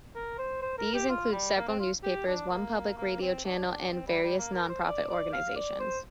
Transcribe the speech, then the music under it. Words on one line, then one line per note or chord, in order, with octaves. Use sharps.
These include several newspapers, one public radio channel and various non-profit organizations.
A#4
C5
C5
A#4
G4
F4
G3
A#3
C4
F4
G4
D4
A#3
A#3
C4
D4
D4
C4
G3
G3
A#3
A#4
C5
D5
D5
F5
D5
C5